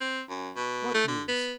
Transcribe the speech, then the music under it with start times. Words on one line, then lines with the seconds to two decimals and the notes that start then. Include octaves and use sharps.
"What news?"
0.01 C4
0.30 F#2
0.56 B2
0.94 A3
1.08 D3
1.28 B3